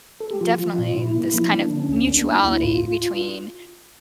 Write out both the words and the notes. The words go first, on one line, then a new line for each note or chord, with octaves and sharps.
definitely this kind of mutuality between
A4
G4
F3 F4
F3
A#2
A#2 E4
A#3
E4
F3
E4
A#3 D4
D3
C#4
D2
A#3 D4
A#3
E4
D2
A2 F4